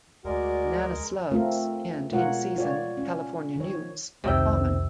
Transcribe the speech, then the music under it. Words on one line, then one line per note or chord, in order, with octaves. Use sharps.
Banana slugs and, in season, California newts are common.
D2 G#3 F#4 G#4 A#4 D5
A3 C4 F4 A#4
B2 G#3 F4 A#4 C#5 F#5
F4 C#5 D5
C#4
D#3 F3 C#5
C2 F2 C3 D#3 C4 G5 E6